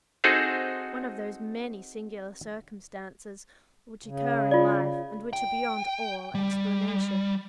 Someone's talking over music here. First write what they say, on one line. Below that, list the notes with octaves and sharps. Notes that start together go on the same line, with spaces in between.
"One of those many singular circumstances which occur in life, and which are beyond all explanation."
C4 D#4 F#4 G#4 A4 C5
C#3
F4 D5
G5
G3